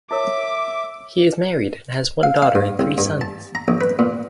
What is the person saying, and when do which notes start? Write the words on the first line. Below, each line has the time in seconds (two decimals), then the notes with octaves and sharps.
He is married and has one daughter and three sons.
0.11 E4 A#4 C#5 E5 D6
2.23 F5
2.42 F5
2.55 G2
2.79 C2
2.98 G2
3.21 A5
3.55 A#5
3.68 A#1
3.81 B4
3.99 A#2